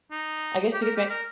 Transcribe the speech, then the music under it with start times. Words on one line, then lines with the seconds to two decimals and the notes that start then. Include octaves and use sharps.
I guess you could say
0.11 D#4
0.73 G4
0.82 A#4
0.96 G4
1.10 A#4